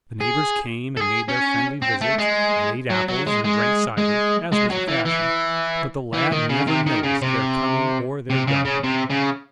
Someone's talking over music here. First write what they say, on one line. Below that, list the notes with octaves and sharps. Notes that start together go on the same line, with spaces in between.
The neighbors came and made their friendly visits, and ate apples and drank cider, as was the fashion, but the lad never noticed their coming or their going.
G#4
A4
G#4
C#4
C4
A3
G#3
F#3
F#3
G#3
G#3
G#3
G#3
F#3
E3
E3
E3
D#3
C#3
C3
D#3
C#3
C3
C3
C#3
C#3
C3
C#3